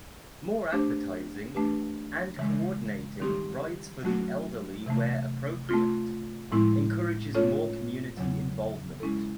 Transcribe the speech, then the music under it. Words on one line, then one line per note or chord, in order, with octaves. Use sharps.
More advertising, and coordinating rides for the elderly where appropriate, encourages more community involvement.
A3 D4 G4 C5
E3 A3 D4 G4 B4
C#3 E3 G#3
D#3 G3 C4 D#4 G4
F#3 A3 C#4 F#4
C3 E3 A3
A3 C4 F4
A2 F3 G#3 C4 E4
A3 C#4 F4 A4 C#5
E2 C#3 F#3
G#3 C#4 E4 A4